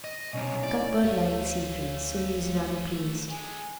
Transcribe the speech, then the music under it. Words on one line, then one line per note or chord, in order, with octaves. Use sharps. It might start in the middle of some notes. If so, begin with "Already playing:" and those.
Cuthbert liked secrets, so he was rather pleased.
D#5
B1 C3 C#4 D#4
A2 D5
D2 A3 C#4 F#4 C#5 F5
D3 G#3 G#5